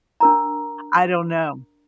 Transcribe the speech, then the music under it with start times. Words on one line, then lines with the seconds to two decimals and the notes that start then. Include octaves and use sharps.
I don't know.
0.20 D4 A#4 A#5